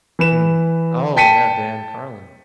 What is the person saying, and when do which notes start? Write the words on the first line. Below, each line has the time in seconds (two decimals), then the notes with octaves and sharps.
Mm. Oh, yeah, Dan Carlin.
0.19 E3 B4 E7
1.17 G5 A5 B6 C#7 D#7